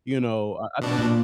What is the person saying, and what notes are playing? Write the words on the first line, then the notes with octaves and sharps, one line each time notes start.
you know, I I took
B2 D4
A#2